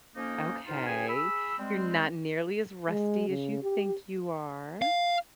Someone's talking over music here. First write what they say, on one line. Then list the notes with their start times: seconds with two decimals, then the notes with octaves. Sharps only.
Okay. You're not nearly as rusty as you think you are.
0.15 F2 A#3 C#4 D#4
0.66 D2 A2 D#4 F4
0.85 D2 E3 C#4 G#4 G5 G#5
1.08 G#4 B5 E6
1.58 G3 G#3 C4
2.89 G#3
3.29 C#3
3.63 G4
4.82 F5